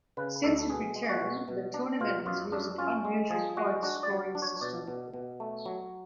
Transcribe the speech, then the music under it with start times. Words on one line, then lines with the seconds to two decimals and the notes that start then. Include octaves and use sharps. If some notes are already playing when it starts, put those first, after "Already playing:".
Since its return, the tournament has used an unusual point scoring system.
0.17 C#3 B4
0.44 D2 A4
0.59 A4
0.70 B2 G#4
0.96 G#3
1.03 G#4
1.09 F#4
1.21 B2
1.48 B2
1.74 D4
2.00 B2 F4
2.26 F#2 F4
2.52 F#2 D4
2.78 C#4 F4
3.05 G#3
3.30 F3 G#4
3.57 G#3 F#4
3.83 D4 F#4
4.03 D5
4.10 F#3
4.35 D4
4.42 C#5
4.61 B2 D5
4.88 B2
5.14 B2
5.40 A3
5.66 F#3